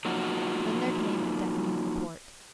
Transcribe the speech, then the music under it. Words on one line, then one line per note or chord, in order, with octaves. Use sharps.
Then there came a deafening report.
F3 F#3 A#3 D#4 F4 F#4